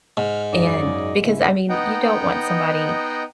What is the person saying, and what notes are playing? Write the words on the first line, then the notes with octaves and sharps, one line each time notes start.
And because, I mean, you don't want somebody
G#2 F6
F#2 C#3 D#4 D5 D#5
C#3 E4
B3 D#4 D#5 F#5 G5 A#5